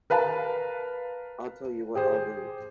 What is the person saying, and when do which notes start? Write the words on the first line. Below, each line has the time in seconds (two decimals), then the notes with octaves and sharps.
I'll tell you what I'll do.
0.10 A#4 B4 F5 A5
1.95 G4 G#4 C5